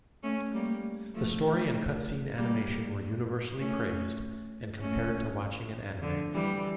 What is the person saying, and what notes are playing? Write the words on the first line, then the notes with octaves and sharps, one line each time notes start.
The story and cutscene animation were universally praised, and compared to watching an anime.
A3 C#4
G3 A#3
F3 A3
G3 A#3
A3 C#4
A3 C#4
D3 F3
E3 G3